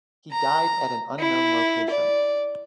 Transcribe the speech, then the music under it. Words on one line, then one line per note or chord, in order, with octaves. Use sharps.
He died at an unknown location.
A#5
E4
D5